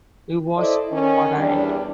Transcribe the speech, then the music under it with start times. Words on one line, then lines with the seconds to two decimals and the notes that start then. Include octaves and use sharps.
He was ordained.
0.57 E4 A4 C5 D5 D#5
0.92 D#3 C#4
1.37 E2 G3 D4